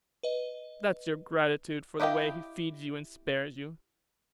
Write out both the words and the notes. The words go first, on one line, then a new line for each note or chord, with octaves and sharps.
That's your gratitude for the way he feeds you and spares you!
B4 D#5
E4 G4 D#5 F5 G5